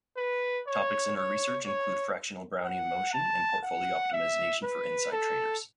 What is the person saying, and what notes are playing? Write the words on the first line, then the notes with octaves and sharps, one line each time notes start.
Topics in her research include fractional Brownian motion and portfolio optimization for inside traders.
B4
C#5
C#5
C#5
F#5
A5
F#5
E5
B4
A4